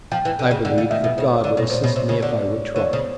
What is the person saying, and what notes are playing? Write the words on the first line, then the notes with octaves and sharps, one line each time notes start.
I believed that God would assist me if I would try.
F3 G5
E3
D3
C#3
D3 F#5
D3 F5
D#3 E5
B2 E5
C#3 C5
C#5
D3 D5
B2 C#5
A#2 C5
B2 C#5
C3 C5
C#3 C#5
D3 D5
C#5
D3 C#5
C#3 C5